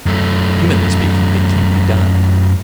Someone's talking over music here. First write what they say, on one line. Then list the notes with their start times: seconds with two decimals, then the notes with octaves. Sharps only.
Humanly speaking, it can't be done.
0.06 F#2 A3